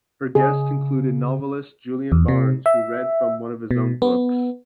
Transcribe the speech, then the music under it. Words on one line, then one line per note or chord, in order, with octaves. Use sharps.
Her guests included novellist Julian Barnes, who read from one of his own books.
C#3 G#4
E2
C3
E5
B2
B3